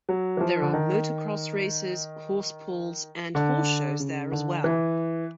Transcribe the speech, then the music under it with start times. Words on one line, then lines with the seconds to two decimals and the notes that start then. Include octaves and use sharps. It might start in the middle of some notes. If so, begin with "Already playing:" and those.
There are motocross races, horse pulls, and horse shows there as well.
0.09 F#3
0.37 E3
0.41 F3
0.62 D3
0.73 D#3
3.35 D3
4.00 C#3
4.32 D3
4.64 E3